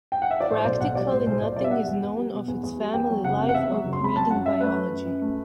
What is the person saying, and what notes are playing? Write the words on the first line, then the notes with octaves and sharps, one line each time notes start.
Practically nothing is known of its family life or breeding biology.
G5
F#5
E5
D5
A2 C5
C5
B1 D5
B1 F#5
G3 D5
A2 C5
B1 C5
B1 D5
G3 D5
E5
B2 F#5
E2
E2
G3
B2
E2
E2
G3
E2 G5
F#3
F#1 F#5
C3
F#5
E2 E5
F#3
F#1
C6
C3 B5
F#3 A5
F#2 F#5
F#2 E5
A3 B4
F#3
F#2
F#2
A3